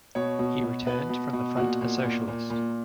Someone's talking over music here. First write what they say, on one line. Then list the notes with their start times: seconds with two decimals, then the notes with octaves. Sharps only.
He returned from the front a socialist.
0.15 B2 C#5
0.39 B2
0.63 B2
0.86 B2 B4
1.09 B2
1.33 B2
1.56 A#2 F#4
1.81 A#2
2.04 A#2
2.28 A#2
2.50 A#2